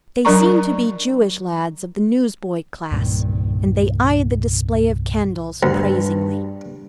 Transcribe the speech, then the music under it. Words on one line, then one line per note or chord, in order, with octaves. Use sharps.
They seemed to be Jewish lads of the newsboy class, and they eyed the display of candles appraisingly.
F#3 D4 A#4 D5 A#5 C#6
C2 G2 A#2 D#3
D2 G2